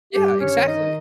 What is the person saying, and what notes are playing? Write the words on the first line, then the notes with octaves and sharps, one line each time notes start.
Yeah, exactly.
G2 G3 G4
G2
C#4 C#5
D#3
D#4 D#5
D#3